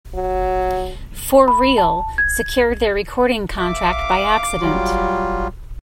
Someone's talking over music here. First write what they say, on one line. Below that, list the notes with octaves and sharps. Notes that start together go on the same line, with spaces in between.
For Real secured their recording contract by accident.
F#3
B5
A5
G#6
E5 F5 D6
F#3 G3 F4